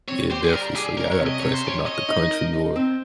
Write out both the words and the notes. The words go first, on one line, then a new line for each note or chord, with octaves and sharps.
Yeah, definitely, so y'all gotta play something out the country or,
C4 C#5
G4 C5
G#4
G3 A#4
G3 G#4
C#4 A#4
C#5
C3
D#5
C3 C#5
C5
C#4 C#5
C#5 D#5
D#4
A#4
D#4
C4